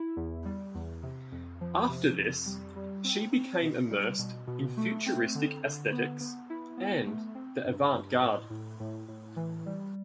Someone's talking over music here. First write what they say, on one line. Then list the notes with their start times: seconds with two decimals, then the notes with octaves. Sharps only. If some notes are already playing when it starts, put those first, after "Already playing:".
After this, she became immersed in Futuristic aesthetics and the avant-garde.
Already playing: E4
0.16 E2
0.45 G3
0.75 E2
1.03 C3
1.32 F2
1.61 F3
1.88 C3
2.18 F2
2.46 G3
2.76 G3
3.04 C4
3.32 C4
3.61 B2
3.90 G3
4.19 B2
4.47 B2
4.77 A3
5.06 C4
5.35 D3
5.64 D3
5.92 B3
6.21 B3
6.50 E4
6.77 B3
7.06 A3
7.35 C4
7.64 G2
7.93 G2
8.21 A2
8.50 A2
8.80 A2
9.09 A2
9.36 E3
9.66 G3